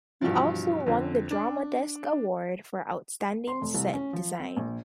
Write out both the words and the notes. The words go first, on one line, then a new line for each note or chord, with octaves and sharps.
He also won the Drama Desk Award for Outstanding Set Design.
G2 B2 E3 F3 F4
F2 D3 C4
D4
C6
F1
C2
C#4
F3
C4
A#1